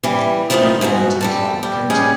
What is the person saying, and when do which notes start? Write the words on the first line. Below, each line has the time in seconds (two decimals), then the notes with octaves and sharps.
He belonged to the Clan Mackenzie.
0.03 E3 G3
0.50 D#3 F3 G3 A3 B3 D#4
0.81 G#2 B2 F3 F#4
1.21 G3 A4 A5
1.63 G3
1.90 G3 C#4 G#4 D#5